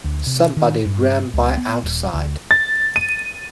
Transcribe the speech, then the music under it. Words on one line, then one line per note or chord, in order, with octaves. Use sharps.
Somebody ran by outside.
D2
C3
D#3
G2
C#2
B3
D#1
D2
A6
D#7